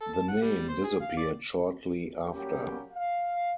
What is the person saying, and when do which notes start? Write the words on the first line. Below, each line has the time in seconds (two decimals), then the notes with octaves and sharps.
The name disappeared shortly after.
0.01 A4
0.13 A5
0.28 F#5
0.42 G3
0.68 C5
0.84 G#4
1.01 F5
1.17 D5
2.29 F#3 G3 A#3 C#4 G4
2.93 F5